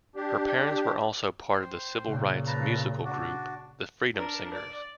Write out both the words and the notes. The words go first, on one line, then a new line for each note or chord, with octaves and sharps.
Her parents were also part of the civil rights musical group The Freedom Singers.
D4 G4
C5 G5
A#2 C#3
B4 A5 A#5
D4 F#4 D5
D4 A#4
D5